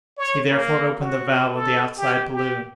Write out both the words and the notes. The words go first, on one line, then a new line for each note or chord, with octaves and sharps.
He therefore opened the valve of the outside balloon.
C#5
A#3
F#4
A4
G4
G4